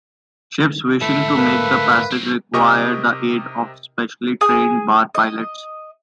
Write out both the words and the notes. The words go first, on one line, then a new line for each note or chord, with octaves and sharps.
Ships wishing to make the passage require the aid of specially trained bar pilots.
D2 G#2 A3 E4
A#3 B4
F#3 C4
C3 G4 A#4 D#5 C#6 D#6
G#4 G#5 D#6
D#5